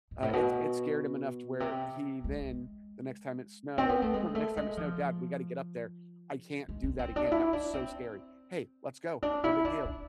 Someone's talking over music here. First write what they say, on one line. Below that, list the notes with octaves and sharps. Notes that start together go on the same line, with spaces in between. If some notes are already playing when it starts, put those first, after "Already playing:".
uh, it s it scared him enough to where he then, the next time it snowed no, the next time it snowed, "Dad, we gotta get up there. I can't do that again, that was so scary." "Hey, let's go, no big deal."
G#2
A2
B2
C3
G#3
C4
B3
A3
G#3
A3
G#3
F3
G#3
D4
C4
D4
E4
D4
C4
D4
E4
D4
D4